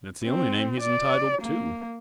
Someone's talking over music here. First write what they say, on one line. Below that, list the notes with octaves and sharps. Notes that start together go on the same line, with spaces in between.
It's the only name he is entitled to.
C4
D5
A#3